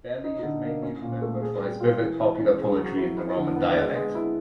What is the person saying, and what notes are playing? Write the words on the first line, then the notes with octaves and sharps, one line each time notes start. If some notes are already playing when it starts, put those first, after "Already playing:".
Belli is mainly remembered for his vivid popular poetry in the Roman dialect.
D#4
D3
A#3
C#4
A#2
A3
G#4
G3
F4
E3
E3
C#4
G#4
F#3
E4
E4
D3
B3
G#3
G#3
E4